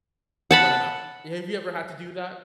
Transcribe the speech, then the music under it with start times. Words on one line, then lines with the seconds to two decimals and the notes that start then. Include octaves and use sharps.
but I'm out." Have you ever had to do that?
0.51 F#5 A5 B5